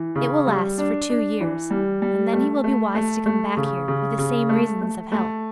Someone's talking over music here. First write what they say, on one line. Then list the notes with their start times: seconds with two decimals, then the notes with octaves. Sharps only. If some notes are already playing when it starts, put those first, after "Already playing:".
It will last for two years, and then he will be wise to come back here for the same reasons of health.
Already playing: E3
0.15 C#3
0.47 G3
0.78 D4
1.09 D4
1.40 E3
1.70 G3
2.02 G3
2.33 A3
2.64 A3
2.95 A3
3.26 A3
3.57 C#3
3.88 C#3
4.18 C#3
4.49 A3
4.81 A3
5.12 A3